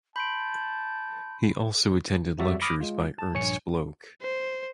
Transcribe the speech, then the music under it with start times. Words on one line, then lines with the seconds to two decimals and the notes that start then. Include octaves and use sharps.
He also attended lectures by Ernst Bloch.
0.16 A5 B5 C6 G6 D7
2.38 F2 F#3 G3 F#4 D5 E5
2.62 B5 D6 D#6 F6 A#6
2.81 G#3 F4
3.19 A5
3.34 A#1 G2 C#5 G#5 C#7
4.22 C5